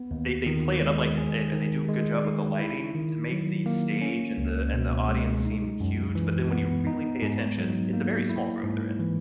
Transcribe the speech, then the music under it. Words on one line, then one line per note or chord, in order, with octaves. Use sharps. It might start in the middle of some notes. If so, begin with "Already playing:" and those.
they they play it up like it and they do a good job with the lighting to make the stage and the and the audience seem huge, but then when you really pay attention, it's a very small room they're in.
Already playing: B3
D#2
D#3
G#3
G#4
D#3
G#3
D#4
E4
D#3
F#3
A#3
C#4
C#2
B2
G#3
D#4
F#2
E3
B3
D#4
G#2
F#3
A#3
E4
G#2
E3